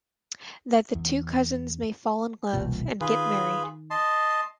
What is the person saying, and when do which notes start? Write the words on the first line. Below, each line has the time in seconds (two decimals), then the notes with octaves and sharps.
That the two cousins may fall in love, and get married.
0.95 E2
2.53 E1 C2 A#2
3.01 D#3 F4 G#4 B4
3.90 D#5 A5 C6